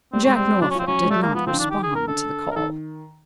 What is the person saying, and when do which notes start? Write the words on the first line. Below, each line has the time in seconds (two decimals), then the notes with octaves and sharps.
Jack Norfolk did not respond to the call.
0.13 G3 C4
0.24 G#3 C#4
0.35 G3 C4
0.62 F#3 D4
0.70 C#4
0.75 F3 C4
0.87 F#3 C#4
1.03 G#3
1.10 G3 A3
1.22 G#3 A#3
1.35 F3 B3
1.46 F3 C4
1.53 D3
1.59 D#3 D4
1.71 G4
1.83 G#4
1.95 A#4
2.07 D3 A4
2.51 A#4
2.56 D#3 A4